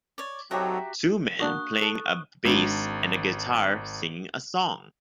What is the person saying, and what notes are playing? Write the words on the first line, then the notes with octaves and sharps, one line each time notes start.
Two men playing a bass and a guitar singing a song.
C#5 D5
F#3 C4 D#4 F#4 G4 A4 E5 A#5
A#3 D4 F#4 C#6 D#6 F#6
A4
G#1 G#3 D4 F#4